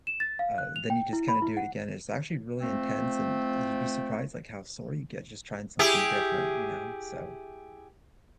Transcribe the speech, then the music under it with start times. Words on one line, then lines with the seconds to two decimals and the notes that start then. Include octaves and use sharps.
uh, then you just kinda do it again. It's actually really intense and you'd be surprised like how sore you get just trying something different, you know, so
0.07 E7
0.20 A6
0.39 F5
0.58 F#6
0.76 F7
0.90 G5
1.13 E4
1.28 B5
1.42 E4
1.57 F#5
2.61 F3 A3 C4
5.79 E4 G4 G#4